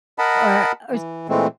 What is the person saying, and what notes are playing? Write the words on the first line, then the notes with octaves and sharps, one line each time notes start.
Or or
A#4 D#5 F#5 A5 B5
E3
A#2 E3 G#3 A3 C4